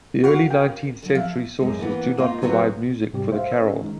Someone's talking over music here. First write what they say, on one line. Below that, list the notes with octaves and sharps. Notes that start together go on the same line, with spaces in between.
The early nineteenth-century sources do not provide music for the carol.
F#4 A#4 F5
G5
D3 F#3
F3 E5 F5
F#2 G#3
E3 A#3 B3
A#3 D#4 F4
D3 F#3 B3 C4 F#4
G#2 C3 G3 C4 G4
C5 E5 F5
C5 E6
C#4
D#3 G#3 D#4